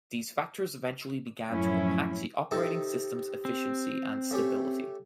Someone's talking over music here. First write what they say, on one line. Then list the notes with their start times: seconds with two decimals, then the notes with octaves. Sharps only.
These factors eventually began to impact the operating system's efficiency and stability.
1.50 F#2 A2 F3 C#4 E4
2.51 C3 D#3 A4
3.45 C4
4.31 A3 C#4 G4